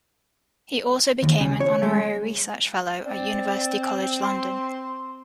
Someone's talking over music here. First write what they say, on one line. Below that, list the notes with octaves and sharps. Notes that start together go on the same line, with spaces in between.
He also became an honorary research fellow at University College London.
D#2
C#3
C#5
G#3
C4 D5
C6